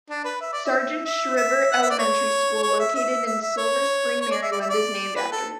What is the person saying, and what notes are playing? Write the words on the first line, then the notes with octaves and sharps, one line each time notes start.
Sargent Shriver Elementary School, located in Silver Spring, Maryland, is named after him.
D4
B4
E5
D5
E5
E5
E5
F#5
E5
D5
C#5
C#5
E5
E5
E5
E5
C#5
C#5
D5
E5
D5
E5
D5
B4
A4